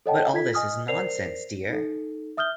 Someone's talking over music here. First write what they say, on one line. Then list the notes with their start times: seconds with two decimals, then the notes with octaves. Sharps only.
But all this is nonsense, dear!
0.06 A4 C#5 D#5 F#5 G5 A5
0.34 F4 A4 G#6 B6
0.54 D#5 G#5 D#6 F6
0.88 A#4 C5 D5 C7 F7
1.69 D#4 A4
2.37 E5 D#6 F6 G6 G7